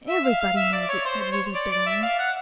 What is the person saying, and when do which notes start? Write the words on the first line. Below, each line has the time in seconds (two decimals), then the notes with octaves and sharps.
"Everybody knows it," said Ruby bitterly.
0.08 E5
0.23 F5
0.40 F5
0.56 E5
0.73 D5
0.88 C#5
1.05 C5
1.21 C5
1.32 C#5
1.55 D5
1.71 D5
1.86 E5
2.02 F5
2.19 F#5